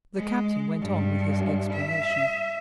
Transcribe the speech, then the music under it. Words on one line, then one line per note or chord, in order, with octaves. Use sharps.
The Captain went on with his explanation.
G#3
G2
E5